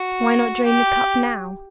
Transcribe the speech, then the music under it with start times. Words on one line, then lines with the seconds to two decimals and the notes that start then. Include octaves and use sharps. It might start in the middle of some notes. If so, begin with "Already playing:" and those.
Why not drain the Cup now?
Already playing: F#4
0.65 G4